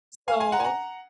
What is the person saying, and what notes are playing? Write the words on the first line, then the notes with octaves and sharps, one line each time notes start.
S so
F5 G#5
F5 G#5
F#5 A#5
G#5
F#5 A#5